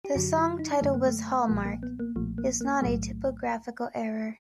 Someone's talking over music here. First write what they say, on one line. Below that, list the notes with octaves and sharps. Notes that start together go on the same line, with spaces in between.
The song title "hHallmark" is not a typographical error.
G4
F#2 D3 F#3 F#4
E4
D#4
F#2 D3 F#3 A3
A#3
A3
B1 A#2 F3 A#3
A#3
B3
A#3
B1 A#2 F3 A3
A#3
A#3
B1 A2 F#3 A3